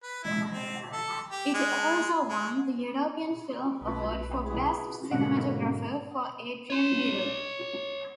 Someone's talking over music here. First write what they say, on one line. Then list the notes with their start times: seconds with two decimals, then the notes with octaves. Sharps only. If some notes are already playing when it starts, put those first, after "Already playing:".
It also won the European Film Award for Best Cinematographer for Adrian Biddle.
0.03 B4
0.23 E4
0.53 C4
0.93 A4
1.32 G4
1.54 G#3
2.30 G#3
3.81 B1 B4
4.45 B3 E4 G#4
5.11 G#2 B2 D3 G#3 A#3 F#5
6.70 C#5 C6